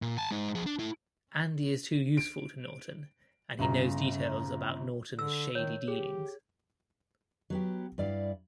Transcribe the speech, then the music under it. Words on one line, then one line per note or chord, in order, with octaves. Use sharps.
Andy is too useful to Norton, and he knows details about Norton's shady dealings.
A#2
G#5 A5
G#3 D#4
F3 G#4
D4
E4 A4
D7
G1 C#3 A#5
D3 E6
D#3 C#5
G4 G#4
F#3 B3 G4
G2 E4 D5 F5